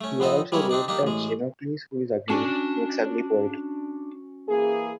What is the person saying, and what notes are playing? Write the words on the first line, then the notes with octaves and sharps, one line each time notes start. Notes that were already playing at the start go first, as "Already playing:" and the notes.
He also wrote that "Xenocles, who is ugly, makes ugly poetry".
A3 C#4
F2 B3 C4 A4 D#5
G3 G#3 A#3 E4 A#4 C#5
C4 D4 D#4 D5
A#3 D4 D#4 G4
A1 G#3
C#4 D4 F#4 G#5 A5
E3 A#3 G#4